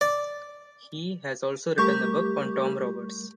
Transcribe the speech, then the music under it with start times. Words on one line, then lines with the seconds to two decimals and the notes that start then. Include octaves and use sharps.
He has also written a book on Tom Roberts.
0.01 D5
1.78 G3 A3 G4 A#4 C#6 G6